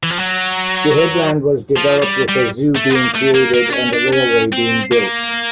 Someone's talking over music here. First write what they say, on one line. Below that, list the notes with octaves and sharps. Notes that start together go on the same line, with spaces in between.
The headland was developed, with a zoo being created and the railway being built.
E3
F3
F#3
F3
G3
G3
A3
B3
A#3
A3
A#3
A#3
D4
C#4
D4
C#4
C4
A#3